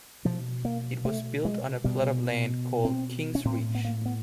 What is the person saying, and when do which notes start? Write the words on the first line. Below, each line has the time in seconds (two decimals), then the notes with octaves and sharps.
It was built on a plot of land called King's Reach.
0.25 B2 F3
0.65 A#3
1.05 A3
1.45 G#3
1.84 B2 G3
2.85 C4
3.35 C#4
3.45 A2 C4
3.75 B3
3.85 A#3
4.06 B3